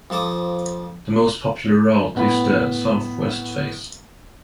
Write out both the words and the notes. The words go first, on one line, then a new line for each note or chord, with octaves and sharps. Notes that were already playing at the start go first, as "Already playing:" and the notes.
The most popular route is the southwest face.
F2 F3 A4 D6 D#6
A2 B3 B5